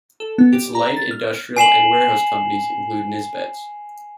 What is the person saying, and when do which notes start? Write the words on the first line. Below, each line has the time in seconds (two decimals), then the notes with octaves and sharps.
Its light industrial and warehouse companies include Nisbets.
0.20 A4
0.38 B3
0.53 G4
0.75 A#5
0.96 A6
1.11 F6
1.57 G#5 C7 E7 F#7